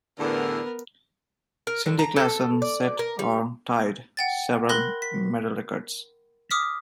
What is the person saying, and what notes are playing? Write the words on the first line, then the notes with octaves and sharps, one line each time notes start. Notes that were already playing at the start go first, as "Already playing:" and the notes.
Cindy Klassen set or tied several medal records.
E2 A2 D3 B3 A#4
A#4
D3
A#5
A4
D5
A#4
G3
F#5 G5 A6
A#4 B5 C6 F#6 A#6
B6
D6 D#6 F6 B6